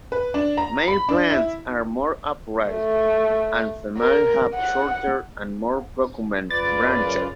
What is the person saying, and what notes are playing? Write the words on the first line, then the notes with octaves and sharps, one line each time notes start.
Male plants are more upright and female have shorter and more procumbent branches.
B4
D4
A#5
B5
D4
E4
A3
A#4
F#5
F#2 C#3 F4 B4 D5 A6